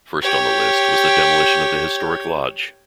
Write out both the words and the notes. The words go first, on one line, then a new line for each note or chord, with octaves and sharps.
First on the list was the demolition of the historic lodge.
G4 C#5